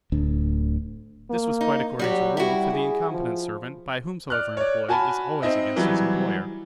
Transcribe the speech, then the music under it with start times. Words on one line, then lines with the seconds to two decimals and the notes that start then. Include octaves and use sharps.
This was quite according to rule, for the incompetent servant, by whomsoever employed, is always against his employer.
0.12 D1 D2 D4
1.30 A#3
1.61 D#4
1.99 F#3 G3 F#4 G4
2.37 G3 E4 F#4
2.73 G#4
3.12 F3
4.30 D5 F6 F#6
4.57 C#5 D5
4.89 F#4 G#5 A5 B5
5.42 C4 D#4 D#5 E5
5.76 E3 F#3 G3 E4